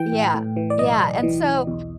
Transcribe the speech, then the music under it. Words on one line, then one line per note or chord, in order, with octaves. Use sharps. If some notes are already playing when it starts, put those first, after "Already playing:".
yeah, yeah, and so
Already playing: E3 G5
A2
A2
E3
D5
B1 D#5
B1
E3
B1
E2